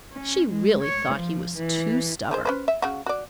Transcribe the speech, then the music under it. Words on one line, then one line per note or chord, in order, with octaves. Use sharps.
She really thought he was too stubborn.
C#4
G#3
C#5
F3
E3
D#3 G#4 C5
C#4 B4 C5
E5
C#3 F#4
F#4 D5